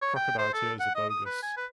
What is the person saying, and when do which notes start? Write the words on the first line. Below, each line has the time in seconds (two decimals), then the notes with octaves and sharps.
Crocodile tears are bogus.
0.02 C#5
0.16 G5
0.38 C5
0.53 A4
0.80 F#5
0.95 D#5
1.10 D#6
1.26 B4
1.42 G#5
1.57 B4